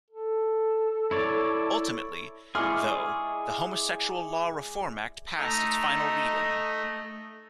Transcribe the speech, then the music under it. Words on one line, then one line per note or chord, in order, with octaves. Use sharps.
Ultimately, though, the Homosexual Law Reform Act passed its final reading.
A4
E4 C#5 D5
G#3 E4 G#4 D5 C6 C#6 F6
A3 D#4 D#5